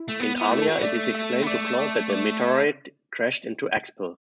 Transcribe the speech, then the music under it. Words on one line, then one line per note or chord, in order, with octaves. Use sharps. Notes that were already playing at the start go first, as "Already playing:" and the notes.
In Arlia, it is explained to Claude that a meteorite crashed into Expel.
Already playing: E4
A3
B3
B3
E4
A3
A4
F#3
B3
A3 D5
E5
B3
A3 D5
D5
D5